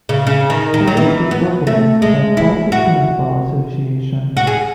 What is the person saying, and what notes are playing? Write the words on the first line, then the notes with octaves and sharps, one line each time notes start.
The league is organized by Baltic Handball Association.
C#3
C#3
D#3
D#3
F#3
E3
B3
A3
G#3
E4
F#4
F#4
G#4